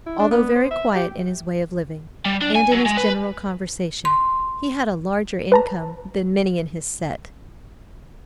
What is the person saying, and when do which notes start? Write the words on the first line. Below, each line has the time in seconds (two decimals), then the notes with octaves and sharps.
Although very quiet in his way of living, and in his general conversation, he had a larger income than many in his set.
0.07 E4
0.19 D4
0.31 B3
0.56 C5
0.71 E5
0.95 G4
2.26 G3
2.42 D4
2.56 G#5
2.72 F#3
2.86 G#3
2.97 B4
4.05 C6
5.52 B4 A5 A#5